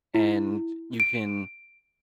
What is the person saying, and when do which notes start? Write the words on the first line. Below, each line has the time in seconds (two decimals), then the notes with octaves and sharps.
and you can
0.15 E4
1.00 D7